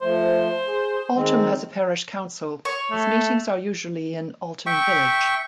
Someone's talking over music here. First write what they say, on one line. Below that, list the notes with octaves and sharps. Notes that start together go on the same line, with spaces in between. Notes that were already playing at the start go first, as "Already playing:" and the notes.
Altham has a parish council; its meetings are usually in Altham village.
F3 A3 C5
G#4
D#3 G#3 C4
C#5 C#6
A3
E5 G5 C#6